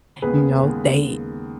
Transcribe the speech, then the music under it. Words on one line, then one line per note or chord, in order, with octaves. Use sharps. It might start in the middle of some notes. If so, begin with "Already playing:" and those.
You know, they
D#2 C#3 G#3 B3 G#4 B4
D#2 C#3 G#3 B3